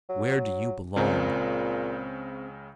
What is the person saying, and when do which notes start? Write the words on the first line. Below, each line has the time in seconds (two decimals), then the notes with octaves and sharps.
Where do you belong?
0.09 F#3
0.96 C#2 A#2 C#3 C4 C5